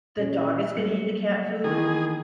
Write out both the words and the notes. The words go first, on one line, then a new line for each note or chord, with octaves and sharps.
The dog is gonna eat the cat food?
A#2 C#4
F#3 G3 A#3 C#7
D#3 E3 G#4